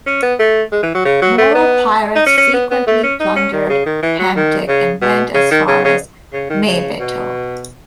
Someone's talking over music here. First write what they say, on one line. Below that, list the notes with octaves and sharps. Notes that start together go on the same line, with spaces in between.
Moro pirates frequently plundered Hamtic and went as far as Maybato.
C#4
B3
A3
G#3
E3
F#3
C#3
F#3
A3
B3
D#4
C#4
C#4
B3
B3
A3
C#4
D#4
C#4
D#3
C#3
D#3
E3
F#3
D#3
C#3
B2
C#3
D#3
C#3
C#3
C#3
D#3
C#3
B2